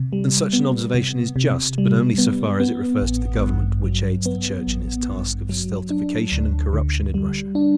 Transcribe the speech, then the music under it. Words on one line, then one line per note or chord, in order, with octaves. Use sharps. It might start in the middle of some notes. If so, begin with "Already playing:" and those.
And such an observation is just, but only so far as it refers to the government, which aids the Church in its task of stultification and corruption in Russia.
Already playing: C3
G3
B3
C3
C3
G3
B3
B3
A1
G2
F#3
B3
A1
G2
F#3
D4
D2
D3
G3
D4